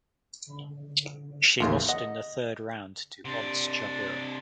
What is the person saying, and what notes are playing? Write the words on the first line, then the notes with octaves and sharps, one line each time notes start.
She lost in the third round to Ons Jabeur.
A1 D#2 C#3 E3 F4 A#4
D#5 F#5
C3 D4